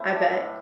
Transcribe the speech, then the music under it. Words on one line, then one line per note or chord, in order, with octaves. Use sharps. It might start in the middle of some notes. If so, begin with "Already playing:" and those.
I bet.
Already playing: A2 A3 C4 E4
E3 D4
A2